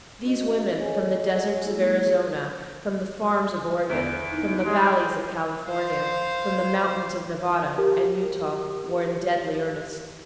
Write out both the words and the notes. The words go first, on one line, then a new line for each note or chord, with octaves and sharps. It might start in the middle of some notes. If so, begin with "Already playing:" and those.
These women from the deserts of Arizona, from the farms of Oregon, from the valleys of California, from the mountains of Nevada and Utah, were in deadly earnest.
C#4 F#4 D#5
G#4 A4 C#5 D#5 G#5
G#3 A#3 E4 F#4 G#4
E2 E5 D7
D#4 E4
G#3 G4 C6
C5 F5
G4 A#4